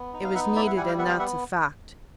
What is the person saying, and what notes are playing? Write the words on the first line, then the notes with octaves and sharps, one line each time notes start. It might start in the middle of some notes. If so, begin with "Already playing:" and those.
It was needed and that's a fact.
Already playing: B3
D#4
F5
B3 E5 F#5
E4 D5 E5
E5 F#5
G3 F#5 G#5
F5 G5
B3 E5 F#5
F5 G5
B3 E5 F#5